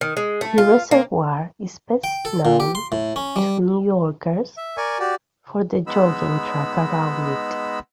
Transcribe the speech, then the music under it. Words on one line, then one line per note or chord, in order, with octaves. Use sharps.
The Reservoir is best known to New Yorkers for the jogging track around it.
D#3
G#3
A3
F4
A#3
G5
A4
A#2
G4
C6
A2
C#4
G3
E5
A#4 D5 G#5 C#6
F#4 G4 D5
G#3 B3 D#4 B5 E6